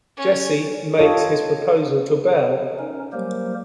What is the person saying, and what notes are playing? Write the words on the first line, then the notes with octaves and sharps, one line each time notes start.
Jesse makes his proposal to Belle.
C#4
F4 G4 A4 C#5 D#5
C#4 D#4 A#4
F#3 G3 A#3 G4 A#4 C5